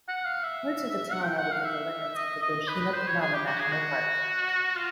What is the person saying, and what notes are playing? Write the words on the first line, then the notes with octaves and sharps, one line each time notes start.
Parts of the town are within the limits of the Yoshino-Kumano National Park.
F#5
F5
E5
F#5
G5
F#5
F5
E5
D#5
D#5
B4
B4
C5
C#5
G#4
G4
F#4
G#4
F#4
F4